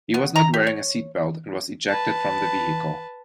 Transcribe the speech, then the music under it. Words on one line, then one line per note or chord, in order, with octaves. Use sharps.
He was not wearing a seat belt and was ejected from the vehicle.
B3
A#5
G4
C#5
B4 A5